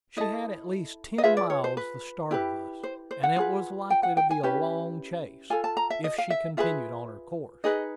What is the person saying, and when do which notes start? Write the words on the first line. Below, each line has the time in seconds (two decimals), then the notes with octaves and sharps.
She had, at least, ten miles the start of us, and it was likely to be a long chase, if she continued on her course.
0.17 E4 A4 D#5
1.18 D#5
1.24 F4 G#4 B4 E5
1.37 D5
1.50 C#5
1.64 C5
1.77 B4
2.31 E4 G4 B4
2.83 C5
3.11 C5
3.23 F#5
3.36 F4 G#4 B4
3.90 G5
4.03 F#5
4.17 G5
4.31 G#5
4.43 C#4 E4 G4 B4
5.50 F4 A4 G#5
5.64 A5
5.77 A#5
5.90 E5
6.04 D#5
6.18 F5
6.30 E5
6.57 F4 G#4 B4 E5
7.64 D#4 G#4 B4 D#5